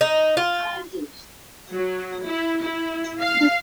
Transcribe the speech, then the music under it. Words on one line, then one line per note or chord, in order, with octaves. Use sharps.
Alexander Whitaker converted Pocahontas to Christianity during her captivity.
D#4
F4
F#3
E4
E4
F5